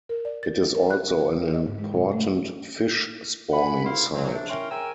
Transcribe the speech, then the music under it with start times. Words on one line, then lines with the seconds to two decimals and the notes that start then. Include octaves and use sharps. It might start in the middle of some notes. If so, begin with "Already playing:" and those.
It is also an important fish spawning site.
0.09 A#4
0.25 D5
0.43 A6
0.75 A#4
0.90 F#6
1.17 C#5
1.54 D#5
1.67 G#2
1.78 G#3
1.92 C3
2.13 A3
3.52 F#5 G#5 B5
3.85 D2 G2 E4 F5 C6
4.15 G#2 F3 F#3
4.34 G#2 A3 D4
4.50 C#4 E4 A#4 G5 C6
4.71 C#3 A#4 G5 G#5 E6